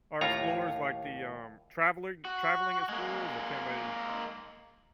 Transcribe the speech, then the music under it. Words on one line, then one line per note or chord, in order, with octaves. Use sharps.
Are explorers like the, um, traveling traveling explorers or can they
D#2 A2 F4 C#5 A#5
F#4
G#3 A#3